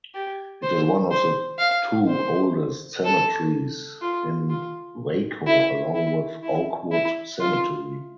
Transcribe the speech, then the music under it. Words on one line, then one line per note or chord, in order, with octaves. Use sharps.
It is one of the two oldest cemeteries in Waco along with Oakwood Cemetery.
G4
C5
C5
F5
C5
A4
F4
F4
E4
E4
E4
E4
F4